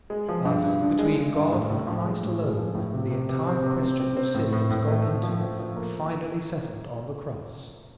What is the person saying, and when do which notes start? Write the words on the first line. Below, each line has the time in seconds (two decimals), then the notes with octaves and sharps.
Thus, between God and Christ alone the entire question of sin was gone into, and finally settled on the cross.
0.10 G#3
0.29 F3
0.45 G2
0.63 G2
0.81 D3
0.99 G#3
1.16 G#3
1.34 G2
1.52 A2
1.70 A2
1.87 F3
2.05 G#3
2.23 A2
2.41 G#3
2.57 F3
2.75 A2
2.93 C3
3.11 C3
3.29 C3
3.47 C4
3.63 C3
3.82 C4
4.00 C4
4.17 C4
4.34 A2
4.53 A2
4.71 A2
4.88 A3
5.06 A2
5.23 F3
5.41 F3
5.59 F3
5.76 A#3